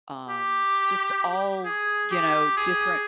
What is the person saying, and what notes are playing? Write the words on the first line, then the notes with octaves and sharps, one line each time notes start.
um, just all, you know, different
G4
G#4
G4
G#4